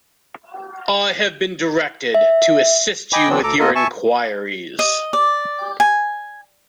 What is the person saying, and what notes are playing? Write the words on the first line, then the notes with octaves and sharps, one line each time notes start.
I have been directed to assist you with your enquiries.
E5
D#5 G5 G#5 B5 D6
D3 E3 F#3 B3 C4 D4
D2 A4 A#5 D6
A#3 B3 F4 A4 A#4 D#5
E5 G#5 A5 C#6
D#5
D5
G#5